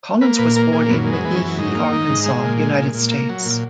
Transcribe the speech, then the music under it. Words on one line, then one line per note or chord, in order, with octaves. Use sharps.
Collins was born in McGehee, Arkansas, United States.
A#3 B4
A#2 B4
A#3 A#4
A#2 G#4
F#2 B3
G#3
B3
E3 B3
C#4
F#2
G#2 D#4
A#3
D#3
G#2
G#3
A#2
G#3
A#2
A#2
A#3
F#3
A#2